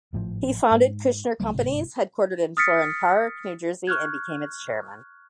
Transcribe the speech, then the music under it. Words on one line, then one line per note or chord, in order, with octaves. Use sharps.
He founded Kushner Companies-headquartered in Florham Park, New Jersey-and became its chairman.
G#1 A2 F3
G#2
C#2 F#3 G3 A#3
G1 G#2 C3
D#6 F6 A6 B6 C#7
C#6 F6 F#6 G#6